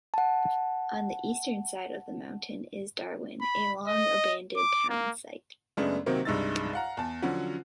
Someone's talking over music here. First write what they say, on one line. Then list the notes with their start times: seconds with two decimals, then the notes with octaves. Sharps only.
On the eastern side of the mountain is Darwin, a long-abandoned town site.
0.14 F#5 A5
3.41 B5
3.87 D#5
4.56 D6
4.89 A#3
5.77 F#2 C#3 G#3 A3 B3 D4
6.06 C3 D#3 F#3 A#3 C4
6.25 C2 G2 G#3 D#4 E6 A6
6.73 F5 F#5 A#5
6.97 E2 A5
7.22 D3 F3 F#3 C#4 F#4